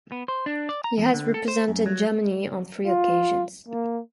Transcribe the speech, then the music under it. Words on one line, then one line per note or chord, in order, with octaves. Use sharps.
He has represented Germany on three occasions.
B3
C5
D4
D5
A#5
E2
D3
A4
C5
F#2
F#3
F4
A#3